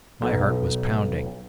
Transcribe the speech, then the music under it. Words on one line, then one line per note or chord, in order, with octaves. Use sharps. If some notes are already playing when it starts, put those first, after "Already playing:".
My heart was pounding.
B1